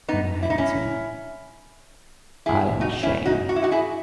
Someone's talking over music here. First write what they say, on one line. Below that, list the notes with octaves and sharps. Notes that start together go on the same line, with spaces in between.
And I answered: "I am ashamed."
B3 D#4
E4
D#4
C#4 E4
E4 G#4
D#4 F#4
C#4 E4
D#4 F#4
F#4
E4
D#4 F#4
E4 G#4